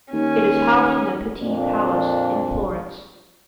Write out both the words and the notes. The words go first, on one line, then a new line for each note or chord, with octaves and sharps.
It is housed in the Pitti Palace in Florence.
D#2 C#4
F2 A#2 C4 D4